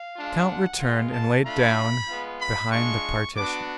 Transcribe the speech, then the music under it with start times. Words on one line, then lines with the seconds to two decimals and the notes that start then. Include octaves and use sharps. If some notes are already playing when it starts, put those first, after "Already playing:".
The count returned and lay down behind the partition.
Already playing: F5
0.15 G#3 D4 F4
0.47 F#5
0.80 G#3 B3 F4
1.11 A5
1.43 A3 D4 F4 B5
2.07 G#3 B3 F4
2.40 B5
2.72 G#3 D4 F4 C#6
3.36 B3 D4 F#4 D6